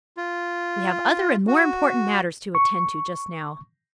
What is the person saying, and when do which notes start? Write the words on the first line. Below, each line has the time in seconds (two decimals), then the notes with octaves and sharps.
"We have other and more important matters to attend to just now."
0.17 F4
1.47 F#4
2.55 C#6